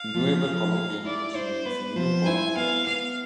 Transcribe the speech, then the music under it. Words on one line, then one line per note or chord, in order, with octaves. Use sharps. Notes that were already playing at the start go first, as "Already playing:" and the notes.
Nueva Colombia, in English, means "New Colombia".
Already playing: F5
F3
F3
G#4
E4 D5
E4 C5
B3 B4
F3 C5
E4 G#5
B3 F5
B3 F5